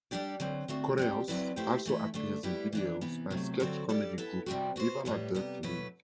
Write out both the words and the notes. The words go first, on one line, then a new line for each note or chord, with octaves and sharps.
Correos also appears in videos by sketch comedy group Viva La Dirt League.
G3 D4 G4 D5
D3 F#3 C4
D3 A3 C4 F#4
G3 C4 G4
F#3 C4 E4 B4 D5
A3 E4 G4 C5
E3 A3 E4
D3 A3 D4
G3 B3 E4 G4
E3 B3 D4
C3 E3 B3
C3 F#3 A3
D3 F#3 C4 F#4 A4
G3 D4 A4 D5
B3 E4 A4
C3 G3 C4 F#4
B3 F#4 C5
A2 G3 B3
C3 G3 B3
B2 F#3 A3 E4 B4